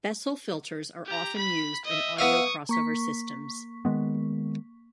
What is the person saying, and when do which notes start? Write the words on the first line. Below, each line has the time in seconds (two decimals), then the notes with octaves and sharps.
Bessel filters are often used in audio crossover systems.
1.05 G4 A#5
1.37 B5 B6
1.85 D#5 E5
2.19 B3 E5 F5 C#6 D#6
2.69 A#3 C#6 B6
3.85 D#3 G#3 B3